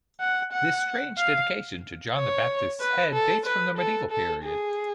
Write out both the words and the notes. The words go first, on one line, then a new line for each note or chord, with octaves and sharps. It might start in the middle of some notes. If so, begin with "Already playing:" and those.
This strange dedication to John the Baptists head dates from the medieval period.
F#5
F#5
F5
C#5
B4
A4
B4
A4
A4
G#4